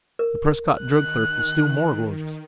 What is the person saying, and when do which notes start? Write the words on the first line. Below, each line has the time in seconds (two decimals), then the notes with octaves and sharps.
The Prescott drug clerk was still more gorgeous.
0.19 A#4
0.80 D#3 F#6